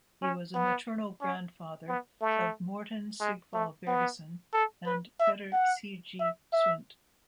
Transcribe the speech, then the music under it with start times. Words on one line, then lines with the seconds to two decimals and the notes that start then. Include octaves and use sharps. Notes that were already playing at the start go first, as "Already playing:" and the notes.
He was a maternal grandfather of Morten Sigval Bergesen and Petter C. G. Sundt.
0.22 C#4
0.54 B3
1.22 C#4
1.88 B3
2.21 A3
3.21 G#3
3.54 A3
3.87 B3
4.54 A4
4.86 B4
5.20 E5
5.52 F#5
6.19 E5
6.53 E5